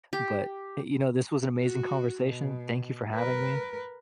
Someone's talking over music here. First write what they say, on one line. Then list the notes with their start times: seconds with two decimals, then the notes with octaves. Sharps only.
But, eh, you know, this was an amazing conversation. Thank you for having me.
0.13 G4
1.61 F#4
2.22 B2
3.15 A#4 B4